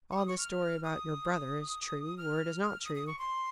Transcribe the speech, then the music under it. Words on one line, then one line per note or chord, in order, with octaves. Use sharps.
All this story about your brother is true or is not true.
C#6
D#6
C#6
F6
D#6
F6
D#6
D#6
C#6
C6